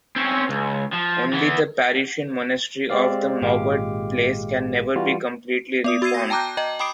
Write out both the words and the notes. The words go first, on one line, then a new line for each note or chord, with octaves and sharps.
Only the Parisian monastery of the Maubert place can never be completely reformed.
C4 C#4
C#2
F3
E3 B3
G#3 C4 G4 D5 F5
G#1 A#2 G#3 G4 F5 D6
E3 G3 F4 F#4
B3 D5 D#6
F#4 E6 G#6 C7 D#7
A#6
G5 A5 A#5 D6 F#6 G6
D#5 G5 A#5
G5 B5 D6 D#6 C7 D7